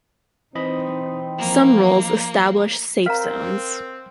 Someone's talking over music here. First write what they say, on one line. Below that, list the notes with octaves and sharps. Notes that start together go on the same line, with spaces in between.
Some rules establish safe-zones.
E3 C4 D#4 D#5 B5
F3 A#3
C4 A#4 F5 A#5 F6